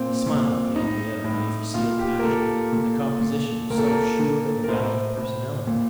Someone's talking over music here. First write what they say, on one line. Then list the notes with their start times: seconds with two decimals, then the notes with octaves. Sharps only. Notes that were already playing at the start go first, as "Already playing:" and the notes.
He smiled at the idea of any facile passion in the composition of so sure and gallant a personality.
Already playing: A#2 C4
0.26 A#2
0.76 A2 D#4
1.24 A2
1.74 A#2 F4
1.99 G4
2.19 A#4
2.24 A#2 A4
2.72 A#2
3.21 A#2
3.70 A#2 A#4
3.78 A4
3.85 A#4
4.19 A#2
4.64 A#4
4.68 A2 C5
5.17 A2
5.67 A#2